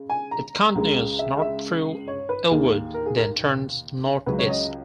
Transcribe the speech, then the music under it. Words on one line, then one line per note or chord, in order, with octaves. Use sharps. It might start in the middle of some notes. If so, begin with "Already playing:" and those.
It continues north through Elwood, then turns northeast.
Already playing: C#3 G#3
G#5
A#5
C#2 C#3 G#3
E5
E5
C#5
B4
D#2 D#3 A#3 G#4
A#4
G#4
A#4
C#2 C#3 F#3 C#4 B4
C#5
D#5